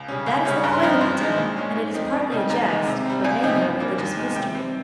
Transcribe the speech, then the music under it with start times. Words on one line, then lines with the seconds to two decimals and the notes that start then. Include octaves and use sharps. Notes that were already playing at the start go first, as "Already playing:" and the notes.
That is the point of the tale, and it is partly a jest, but mainly a religious mystery.
Already playing: C#2
0.08 C#3 G3 C#4
0.27 C#2
0.45 C#3 G3 C#4
0.64 G2 A#5
0.73 C6
0.82 F3 C4 D#4 A#5
1.01 G2 C6
1.20 F3 G#3 D#4
1.38 A#2
1.56 G#3 C#4
1.76 G#2
1.94 F3 C4 D#4
2.12 F2
2.32 C#3 G3 C4 D#4
2.50 D#2 A#5
2.68 D#3 G#3 D#4
2.87 C3
3.06 G3 C4
3.24 C#2 G#5
3.43 C3 F3 C4 D#4
3.61 G2
3.80 G3 A#3
3.98 D#2
4.17 D#3 G#3
4.36 C3 G5
4.55 G3 C4